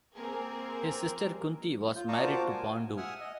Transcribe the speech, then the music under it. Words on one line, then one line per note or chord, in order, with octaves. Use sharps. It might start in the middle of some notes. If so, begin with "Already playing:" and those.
His sister Kunti was married to Pandu.
A#3 C4 G#4 A#4
F4 G6
D5 F5 A5 A#5 C#6 D#6
A#3 F4 F#4 C5 A5 D6
G#5
E5 F#5 G#5 D#6 F6
D#5